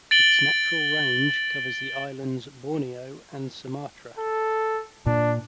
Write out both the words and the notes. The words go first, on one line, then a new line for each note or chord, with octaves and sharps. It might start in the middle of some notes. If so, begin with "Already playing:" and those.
Its natural range covers the islands Borneo and Sumatra.
A6 D7 F#7 G7
A4
A#2 D4